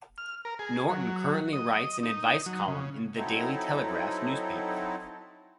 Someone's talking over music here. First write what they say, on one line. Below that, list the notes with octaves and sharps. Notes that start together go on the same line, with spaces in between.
Norton currently writes an advice column in "The Daily Telegraph" newspaper.
F6
A#4
G#4
F#3
D#5
D#4
F#3
C#3
F#3 C4 D#4 E4 A4